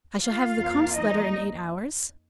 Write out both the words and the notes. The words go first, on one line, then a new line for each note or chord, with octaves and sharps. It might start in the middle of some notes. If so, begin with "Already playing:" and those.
"I shall have the comte's letter in eight hours?"
F4 F5
F2 F3 A#3
D#4 D#5